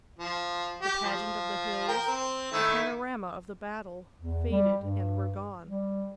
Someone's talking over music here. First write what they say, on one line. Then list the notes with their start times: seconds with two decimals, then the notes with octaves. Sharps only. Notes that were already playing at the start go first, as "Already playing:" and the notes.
The pageant of the hills, the panorama of the battle, faded and were gone.
0.19 F3
0.82 G4
1.05 F3
1.88 A#4 G5
2.08 C4
2.53 D#3 A3 E4
4.18 E2
4.51 G3
4.79 G2
5.64 G3